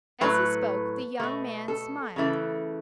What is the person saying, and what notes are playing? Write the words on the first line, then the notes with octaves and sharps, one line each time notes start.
As he spoke the young man smiled.
A2 F#3 A3 B4
B2 A3
A4
C#3 E3 A3